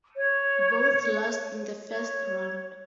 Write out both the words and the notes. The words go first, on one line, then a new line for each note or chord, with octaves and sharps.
Both lost in the first round.
C#5
C#5